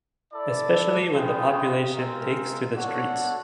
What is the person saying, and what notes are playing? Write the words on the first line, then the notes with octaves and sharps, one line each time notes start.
Especially when the population “takes to the streets”.
E4 A4 D5
F4 G#4 B4 D#5 G5
G#3 C4 F4 A#4
D4 F#4 A4 C#5 F#5